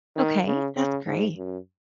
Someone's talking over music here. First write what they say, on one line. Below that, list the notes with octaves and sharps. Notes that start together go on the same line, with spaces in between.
Okay, that's great.
D#3
C#3
C#3
G#2
F#2